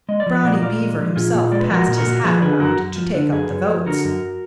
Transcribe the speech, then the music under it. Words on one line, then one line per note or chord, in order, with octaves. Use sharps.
Brownie Beaver himself passed his hat around to take up the votes.
G#3 D#5
D5
F3
B4
A#2 A#4 D5
A#2 D5 F5
G#3
F3
A#2 F4 G#4
A#2
G#3 D5
B4
F3 F#4 A#4
A#2
F#4 A#4
A#2
F3 G#4 B4
D3 G#4 B4
F#2 F#4 A#4
F#2
F3
D3
F#2 G#4 B4
F#2
F3
D3 F#4 A#4
F#2